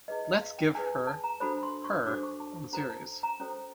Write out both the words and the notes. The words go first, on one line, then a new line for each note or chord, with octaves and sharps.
Let's give her her own series.
E4 G#4 B4 D#5
D#5
F5
G5
E4 G#4 B4 G#5
A5
A#5
D4 F#4 A4 C5 B5
C6
C#6
D4 F#4 A4 C5 D6
C#6
A5
A5
C#4 F#4 A4 C5 A#5
A5
A#5
C#4 F#4 A4 C5